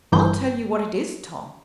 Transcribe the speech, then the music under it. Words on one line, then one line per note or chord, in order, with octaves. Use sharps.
"I'll tell you what it is, Tom."
G1 E3 G6